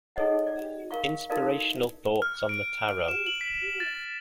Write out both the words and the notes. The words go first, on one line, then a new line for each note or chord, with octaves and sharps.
"Inspirational Thoughts on the Tarot".
D#4 G#4 A4 C#5 D#5 F#5
D5
A#4 F5 C#6
D#4 F#4 A4 A#4 D5 F5
F6
D7
E7
F#7
B6
A6